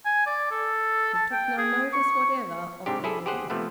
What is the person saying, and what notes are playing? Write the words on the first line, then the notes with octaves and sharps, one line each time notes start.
He took no notice whatever of Edwin.
G#5
D5
A4
A5
G5
G#4
C#6
G#2 C3 D4 G4
E4 G#4 A4
G4 G#4 C5 F#5
C3 F3 A3 B3